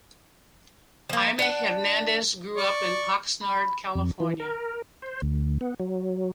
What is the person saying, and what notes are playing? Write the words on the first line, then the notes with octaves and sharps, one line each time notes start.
Jaime Hernandez grew up in Oxnard, California.
F3 A#3
D4 F#5
D5 C#6
B5
F2
E3
A#4
C5
D2
B3
F#3